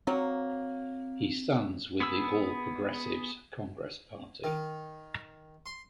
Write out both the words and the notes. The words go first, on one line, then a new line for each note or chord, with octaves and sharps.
He stands with the All Progressives Congress Party.
F#3 A#3 C4
B3 G#4 B5 E6
D#3
C6